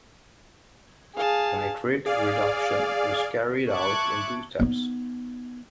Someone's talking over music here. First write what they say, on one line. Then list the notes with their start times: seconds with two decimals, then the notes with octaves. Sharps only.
Nitrate reduction is carried out in two steps.
1.17 G#4 F5 A5
2.06 G#4 D5 F5
3.68 E5 A5 C#6 D6 F#6 G#6
4.59 B3 D#4